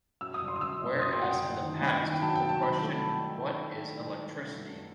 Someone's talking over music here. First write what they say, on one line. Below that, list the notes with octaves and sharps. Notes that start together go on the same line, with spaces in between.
Whereas in the past the question What is electricity?
F#2 E6
D#6
G1
C6
D#6
F#2 E6
G1
C6
F#2 D#6
C6
F#2 F#5
G5
G1
D#3
G2 B5
D#3
G5
F#3 A5
G5
F#3
A5
D#3 B5
A3